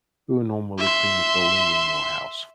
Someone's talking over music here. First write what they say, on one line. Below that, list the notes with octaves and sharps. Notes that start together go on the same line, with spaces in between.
Who normally cleans the loo in your house?
E5 C6